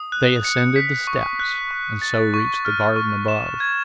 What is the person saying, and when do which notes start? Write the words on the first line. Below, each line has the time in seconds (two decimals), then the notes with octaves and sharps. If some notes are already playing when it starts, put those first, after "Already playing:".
They ascended the steps, and so reached the garden above.
Already playing: D#6
0.12 F#6
0.45 C#7
0.76 B6
1.07 C#6
1.40 F#6
1.71 C#6
2.02 A6
2.34 C#6
2.65 F6
2.96 C#6
3.28 E7
3.60 G#6